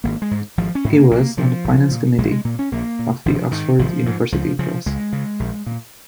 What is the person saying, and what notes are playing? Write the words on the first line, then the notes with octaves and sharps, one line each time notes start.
He was on the finance committee of the Oxford University Press.
G#1 A#3
G#3
G#2
G#1 F3
C#4
G#2
A#3
A#1 A#3
A#2 F3
A#1
A#2
A#1 G#3
G#3
A#2 A#3
C#4
A#1 A#3
A#2
G#1 F3
G#2 D#3
G#1 F3
G#2
C#2 F3
C#3 F3
C#2 G#3
C#3
A#1
A#2